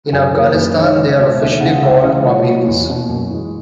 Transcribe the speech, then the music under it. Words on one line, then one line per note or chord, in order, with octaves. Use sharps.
In Afghanistan, they are officially called "Pamiris".
F#2 G#4
E3 A#3 A#4
F#2 B4
D#3 G#3 C#5
C#2 D#5
B2 G#3 E5
D#2 E5
C#3 G#3 F#5
C#2 E5
C#3 E3 G#3 D#5
A#2 C#5
F#3 A#3
E2
B2 A#3
F#2
E3 G#3